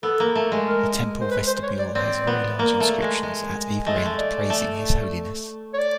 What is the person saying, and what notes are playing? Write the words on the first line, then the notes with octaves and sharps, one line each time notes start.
The temple vestibule has very large inscriptions at either end praising his holiness.
B3 A4
A#3
A3
G#3
A#4
C5
B4
C5
C#5
D5
C4 D5
B3
A#3
A3
G#3
G#3
A3 D#5
G#3
A3
D5
A3
C#5
D5